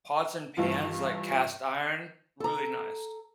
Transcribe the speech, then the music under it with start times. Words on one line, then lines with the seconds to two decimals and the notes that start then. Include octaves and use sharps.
pots and pans like cast iron, really nice.
0.57 G2 E3 F4
2.40 A4 A#5